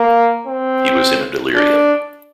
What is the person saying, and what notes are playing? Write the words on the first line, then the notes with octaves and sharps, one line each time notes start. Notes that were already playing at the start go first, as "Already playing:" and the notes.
He was in a delirium.
Already playing: A#3
C4
D4